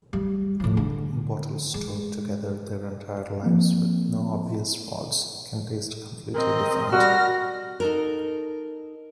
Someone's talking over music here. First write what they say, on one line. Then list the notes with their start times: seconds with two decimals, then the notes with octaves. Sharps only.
Bottles stored together their entire lives, with no obvious faults, can taste completely different.
0.13 G3
0.60 A2 F3
0.77 D3
1.74 G#3
3.43 F3 A#3 C4
6.35 C4 A#4 D#5
6.93 G3 F#4 F6 A#6
7.80 D#4 A4 A#4